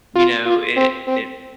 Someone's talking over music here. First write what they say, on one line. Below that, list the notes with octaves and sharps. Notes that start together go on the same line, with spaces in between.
you know, it it
F4
F4
C4
C4